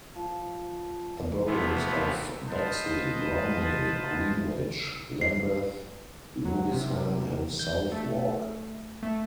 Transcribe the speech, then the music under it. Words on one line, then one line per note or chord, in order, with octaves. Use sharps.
The boroughs of Bexley, Bromley, Greenwich, Lambeth, Lewisham and Southwark.
F3
C3 E3 F3 A3 B3
F4 B4 C5 D#5 A5
C7
F#3
C3
G6
A3
A3